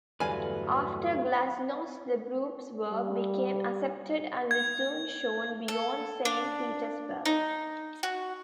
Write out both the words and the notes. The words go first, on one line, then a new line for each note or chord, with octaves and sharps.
After Glasnost the group's work became accepted and was soon shown beyond Saint Petersburg.
E2 G2 D3 F#3 A3 B4 F5 G#5
G3
G#6
A4
D4
D#4
F#4